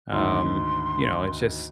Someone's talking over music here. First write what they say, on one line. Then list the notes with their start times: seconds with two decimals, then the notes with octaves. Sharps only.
um, you know, it's just,
0.13 D2 G#2 D#3 C6